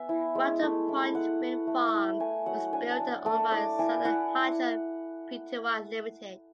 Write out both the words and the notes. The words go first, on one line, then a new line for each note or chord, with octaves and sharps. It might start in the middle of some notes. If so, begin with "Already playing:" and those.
Wattle Point Wind Farm was built and owned by Southern Hydro Pty Limited.
Already playing: B3 E5 G#5
E4
G#3
A3
E4
A3 F#5
E4
A3
E4
A3 G#5
F#3 F#5
D4 G#5
A5
D4
F#5
A3 A5
E4 D5
E4 G#5
E4 F#5